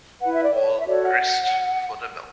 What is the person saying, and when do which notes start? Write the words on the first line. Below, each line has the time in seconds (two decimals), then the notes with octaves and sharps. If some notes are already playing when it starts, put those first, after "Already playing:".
All grist for the mill.
0.21 E4 B4 F#5
0.32 E5
0.43 D5
0.54 C#5
0.80 E5
0.86 F#4 A4 C#5 D5
1.02 F#5